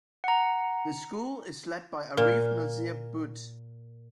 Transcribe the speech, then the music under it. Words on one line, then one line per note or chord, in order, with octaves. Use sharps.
The school is led by Arif Nazir Butt.
F#5 A#5
A#2 A#4